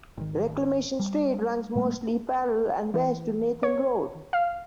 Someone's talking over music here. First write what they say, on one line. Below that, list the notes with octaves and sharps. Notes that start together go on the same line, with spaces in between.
Reclamation Street runs mostly parallel and west to Nathan Road.
G#1 D#3
G3
A2 G3 A3 A#3
E3
C#5
F5